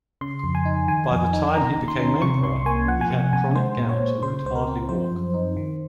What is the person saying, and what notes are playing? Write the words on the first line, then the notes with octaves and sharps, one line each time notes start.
By the time he became emperor, he had chronic gout and could hardly walk.
C#3 C6
F2
G#5
D#4
D#3 G#5
F2
D#4
D#3 A#5
D#2
C6
C#4
C3 C#6
C2 C6
A#3 G#5
F3 F#5
G#5
C3 F#5
C3 G#5
G#3 C5
A#2
C#5
A#2
C#3 C5
C#2 C5
A#4
C4
F3 C5
F#2
D#4
D#3